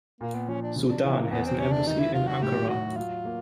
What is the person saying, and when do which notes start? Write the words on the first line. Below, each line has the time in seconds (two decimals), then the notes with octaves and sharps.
Sudan has an embassy in Ankara.
0.21 A#2 A#3
0.35 B3
0.48 F3 C#4
0.62 D4
0.76 C#3
0.89 D4
1.04 E3 B3
1.18 A#3
1.31 E2 B3
1.45 C4
1.58 C3 C#4
1.72 D4
1.87 D#3 D#4
2.00 E4
2.14 F#3 F4
2.28 F#4
2.42 A2 G4
2.69 F#3 F#4
2.96 F#3 F4
3.25 A#3